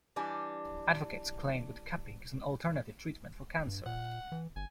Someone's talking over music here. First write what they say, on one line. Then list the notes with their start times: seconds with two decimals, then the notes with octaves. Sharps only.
Advocates claim that cupping is an alternative treatment for cancer.
0.16 E3 G3 D4 G#5
3.67 G2
3.86 A#2 F#5
4.32 E3
4.56 G1 G#5